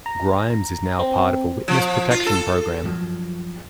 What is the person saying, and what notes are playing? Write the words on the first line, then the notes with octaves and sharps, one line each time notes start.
Grimes is now part of a witness protection program.
A#5
C4
F3
F4
A4
F#2 F3 F#3